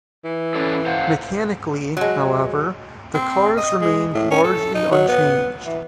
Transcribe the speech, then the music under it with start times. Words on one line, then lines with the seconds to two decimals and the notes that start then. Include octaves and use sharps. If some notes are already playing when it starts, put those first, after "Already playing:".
Mechanically, however, the cars remained largely unchanged.
0.24 E3
0.55 C#4 D4 A4
0.86 C5 F5 F#5
1.97 F#3 G#3
3.14 C4
3.58 D#5
3.82 G#3
4.15 A2
4.31 C#4
4.44 A4
4.75 D#4
4.92 F#3
5.08 B3
5.66 E3